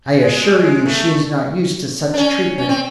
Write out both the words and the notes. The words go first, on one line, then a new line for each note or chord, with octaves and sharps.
I assure you she is not used to such treatment.
G#3
G#3
A3
D4
C#4
C#4
C4